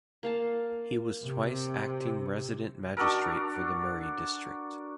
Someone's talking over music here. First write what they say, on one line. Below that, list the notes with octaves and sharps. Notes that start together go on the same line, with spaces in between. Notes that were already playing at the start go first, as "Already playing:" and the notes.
He was twice acting resident magistrate for the Murray district.
A#3 F5 A5
C3
D4 F#4 A4 A#4